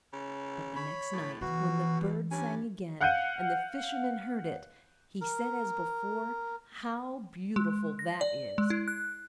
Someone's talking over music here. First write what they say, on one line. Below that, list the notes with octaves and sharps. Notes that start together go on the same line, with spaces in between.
But the next night, when the bird sang again, and the Fisherman heard it, he said as before, "How beautiful that is!"
C#3
C#5 B5
A2
B2 E3 F#4
G2 C#4 G#5
F5 F#5 F#6 G6 C#7 D#7
A#4
G#3
A#6
D5
G#3
E4
F#6